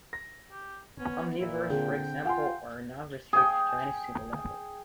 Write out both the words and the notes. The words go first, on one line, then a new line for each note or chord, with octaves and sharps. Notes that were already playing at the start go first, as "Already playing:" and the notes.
Omnivores, for example, are not restricted to any single level.
A#6
G4
B3 C#4
A#2 E4
D3 C4 G#4 G5
F4 F5 F#5 G#5 C6
G#4 G5